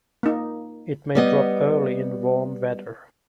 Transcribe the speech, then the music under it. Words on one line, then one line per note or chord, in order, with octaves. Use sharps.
It may drop early in warm weather.
A#3 D#4
G3 B3 D#5